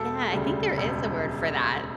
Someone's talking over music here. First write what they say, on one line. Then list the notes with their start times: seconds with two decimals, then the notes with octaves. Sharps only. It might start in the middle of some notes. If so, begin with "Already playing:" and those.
Yeah. I think there is a word for that.
Already playing: E1 A4
0.31 D2 C#3 G3
0.78 E1